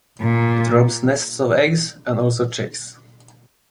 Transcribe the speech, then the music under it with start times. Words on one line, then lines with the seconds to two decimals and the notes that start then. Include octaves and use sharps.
It robs nests of eggs and also chicks.
0.20 A#2